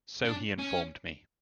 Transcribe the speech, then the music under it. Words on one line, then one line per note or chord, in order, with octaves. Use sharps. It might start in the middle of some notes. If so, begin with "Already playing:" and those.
So he informed me.
D4
C#4